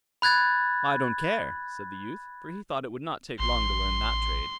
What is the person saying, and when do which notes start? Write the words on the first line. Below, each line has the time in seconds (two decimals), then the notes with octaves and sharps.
'I don't care', said the youth, for he thought it would not take long to learn that trade.
0.22 B5 F#6 G#6 A6
3.39 A1 C6